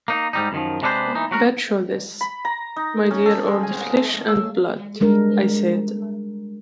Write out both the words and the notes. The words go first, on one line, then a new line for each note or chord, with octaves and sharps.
"Bad show this, my dear old flesh and blood," I said.
A#3 D#4
G#2 G3 D#4
F#2 D#3 F3
C3 G#3 D4 A4 B4 C5
E3 D#4
F#3 F#4 A#4
B5
A#5
D#4
C#4
A4
G#3
G#5
A5
E6
G3 G#3 D4 A#4